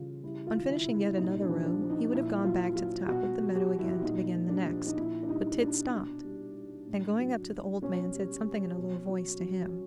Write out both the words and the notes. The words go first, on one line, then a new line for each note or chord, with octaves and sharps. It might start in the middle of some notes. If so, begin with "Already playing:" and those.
On finishing yet another row he would have gone back to the top of the meadow again to begin the next, but Tit stopped, and going up to the old man said something in a low voice to him.
Already playing: C#3 E3 G3 F4
G3 E4
F4
D#3
E4
C3
E4
A#2 D#4
D4
F3
D4
F3
D#4
A#2 E4
F#3 F4
F#3 F4
B2 F#4
G3
G4
G3
E4
E4
A#2 D#4
F3
D4
F3
D#4
A#2 E4
D4
G3 D#4
G3 D4
B2
G3
G3
A2
F#3
F#3
B2 C#4
G3
G3
B2
F#3
F#3